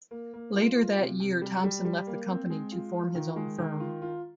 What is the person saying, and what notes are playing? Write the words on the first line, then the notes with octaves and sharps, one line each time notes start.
Later that year Thompson left the company to form his own firm.
A#3
A#3
F4
F4
C3
C3
G3
G3
G3
A#3
C4
G#3
F4
F4
D#3
G#3
D#3
F4
F4